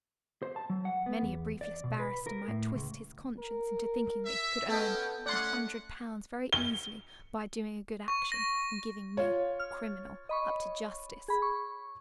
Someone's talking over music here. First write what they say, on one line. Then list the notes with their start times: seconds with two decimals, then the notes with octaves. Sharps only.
Many a briefless barrister might twist his conscience into thinking that he could earn a hundred pounds very easily by doing a good action--in giving me, a criminal, up to justice.'
0.43 C5
0.56 A5
0.70 F#3
0.85 F#5
1.06 B3
1.22 E2
1.61 D5
1.84 B2
1.99 B4
2.27 A#4
2.48 A2
2.75 C#2
3.39 A#4
4.26 E5
4.69 B3 C#4 A4 D#5 G5
5.26 A3 C#4 D5 F#5 C6
6.53 G7
8.08 C#6
8.32 A#6
9.17 F4 C#5
9.59 F6
10.29 D#5 B5 C#6
11.28 G#4 B5
11.42 C#6